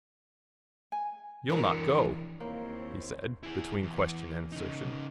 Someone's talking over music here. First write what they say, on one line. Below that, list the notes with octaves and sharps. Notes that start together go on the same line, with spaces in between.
"You'll not go?" he said, between question and assertion.
G#5
E3 F#3 D4 A#4
D#2 A#3 C4 E4 C5 C#5
E4 G#4
E2
C#3 D#4